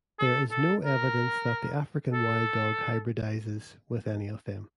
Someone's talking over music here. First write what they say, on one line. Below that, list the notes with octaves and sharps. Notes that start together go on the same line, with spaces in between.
There is no evidence that the African wild dog hybridizes with any of them.
A4
A4
A#4
A4